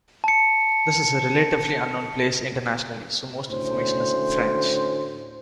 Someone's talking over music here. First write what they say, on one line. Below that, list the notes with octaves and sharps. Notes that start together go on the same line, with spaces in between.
This is a relatively unknown place internationally, so most information is in French.
A5 C#7
D2 A2 C#4 C5